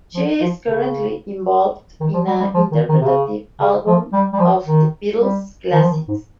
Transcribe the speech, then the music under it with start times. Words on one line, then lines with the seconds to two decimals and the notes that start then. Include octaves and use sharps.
She is currently involved in an interpretative album of the Beatles' classics.
0.14 F3
0.41 F3
0.67 C#3
2.00 D#3
2.13 F3
2.27 G3
2.40 G3
2.54 F3
2.72 D#3
2.89 D#3
3.01 C3
3.06 C#3
3.60 C#3
3.86 F3
4.13 G3
4.33 G3
4.39 F3
4.66 D#3
5.19 G3
5.72 D#3
5.81 F3
5.90 D#3
6.08 G#2